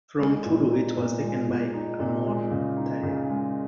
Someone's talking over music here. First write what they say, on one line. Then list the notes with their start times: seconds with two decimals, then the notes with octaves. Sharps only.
From Puru it was taken by Amurtarya.
0.19 G#3
0.46 A#2
0.71 D#4
0.97 A#2
1.23 G#3
1.48 A#2
1.74 D#4
2.00 A#2
2.26 G#3
2.51 C#3
2.77 D#4
3.03 C#3
3.30 G#3